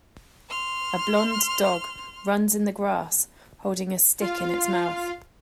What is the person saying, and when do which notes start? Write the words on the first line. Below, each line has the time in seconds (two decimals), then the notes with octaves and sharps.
A blond dog runs in the grass holding a stick in its mouth.
0.49 C6 F6
4.22 F4 F5